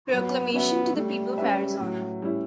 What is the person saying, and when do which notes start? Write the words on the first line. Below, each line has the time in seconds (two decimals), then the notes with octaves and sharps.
Proclamation to the People of Arizona.
0.12 F#3 B3
0.54 B3 C#4 F#4 C#5 E5
0.96 G3 A3
1.38 C#4 G4 B4 E5
1.80 A2 F#3
2.22 G3 C#4 E4